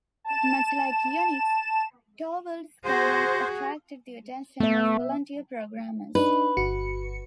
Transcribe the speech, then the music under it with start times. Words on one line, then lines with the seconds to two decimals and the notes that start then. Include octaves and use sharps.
Much like Unix, Torvalds' kernel attracted the attention of volunteer programmers.
0.24 A5 E7
2.85 F#4 G#4 C5
4.60 A3 B3 E5
6.15 D4 D#4 B4
6.57 G1 F#4 C#7